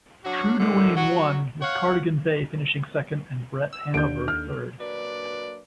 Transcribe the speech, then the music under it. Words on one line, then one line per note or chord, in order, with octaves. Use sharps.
True Duane won with Cardigan Bay finishing second and Bret Hanover third.
F#3 D4 F#4
A2 D3 D#3 G3
F#3 F#4
C#5 F5 F#5
E6
D#2 D3 G6 D7
F6
F#3 A#3 D4 B4 D5